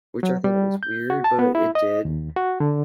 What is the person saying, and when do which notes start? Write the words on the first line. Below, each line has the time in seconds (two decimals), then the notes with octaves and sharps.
which I thought was weird, but it did.
0.23 F#3
0.44 G3
0.83 G6
1.10 F#4
1.24 A5
1.39 B3
1.55 E4
1.75 D#5
2.05 D#2
2.37 F#4
2.60 D3